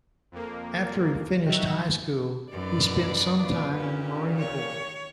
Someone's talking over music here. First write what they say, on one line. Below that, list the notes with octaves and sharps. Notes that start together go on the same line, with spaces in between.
After he finished high school he spent some time in the Marine Corps.
F2 A#3
D#3 F#3 D#4 F#4 E5
F#2 D#4 B4 D5
B2
B3 F4 B4 D5
A#2 D#3 C#4 G4
C#5